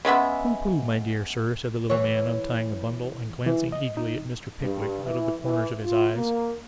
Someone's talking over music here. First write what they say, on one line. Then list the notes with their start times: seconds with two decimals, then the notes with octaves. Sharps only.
'Pooh, pooh, my dear Sir,' said the little man, untying the bundle, and glancing eagerly at Mr. Pickwick out of the corners of his eyes.
0.05 C#3 G#3 B3 E5
1.90 E3 C#5
3.46 E3
3.72 D#5
3.97 D#4
4.61 G2
5.04 E3
5.43 E3
5.80 F4
6.14 A#3